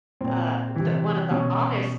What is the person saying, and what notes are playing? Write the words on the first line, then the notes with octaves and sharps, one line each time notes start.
Uh, d one of the oddest
A#2 C4
C3 E3
B2 C#4